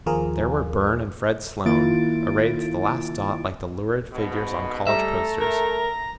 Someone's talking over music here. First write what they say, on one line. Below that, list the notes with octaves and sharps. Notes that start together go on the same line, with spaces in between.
There were Burne and Fred Sloane arrayed to the last dot like the lurid figures on college posters.
D#2 F3 F4 G#4 A#4
D#3 A#3 E4 F4 A6 D7
C2 G#2 B2
G3 A3 A4 E5 A#5
A#4 A#5